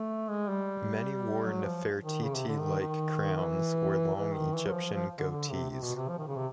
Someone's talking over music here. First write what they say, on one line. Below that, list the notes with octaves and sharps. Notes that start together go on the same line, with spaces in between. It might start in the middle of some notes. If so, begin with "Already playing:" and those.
Many wore Nefertiti-like crowns, or long Egyptian "goatees".
Already playing: A3
G#3
G3
F#3
F3
D#3
C#3
C3
D3
D#3
D#3
E3
E3
D#3
E3
F#3
F3
F3
D3
D3
C3
C3
B2
C3
F3
D#3
C#3
C3